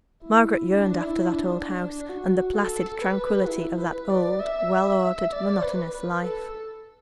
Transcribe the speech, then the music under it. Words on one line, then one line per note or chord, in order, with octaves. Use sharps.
Margaret yearned after that old house, and the placid tranquillity of that old well-ordered, monotonous life.
E4
D4
E4
D4
D4
F#4
A4
B4
E4
B4
D5
E5
E5
D5
B4
B4
A4